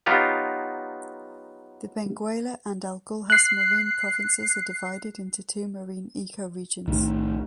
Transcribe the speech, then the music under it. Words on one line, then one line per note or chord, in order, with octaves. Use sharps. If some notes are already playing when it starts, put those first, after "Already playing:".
The Benguela and Agulhas marine provinces are divided into two marine ecoregions.
F#3 B3 D#4 F4 G4 F5
F#6 C7
B1 A2 D#3